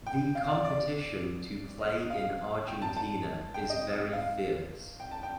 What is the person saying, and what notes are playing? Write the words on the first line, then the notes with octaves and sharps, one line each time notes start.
The competition to play in Argentina is very fierce.
G5
F5
D5
D5
D#5
F5
G5
A5
A5
G5
D#5
F5
G5
A5
G5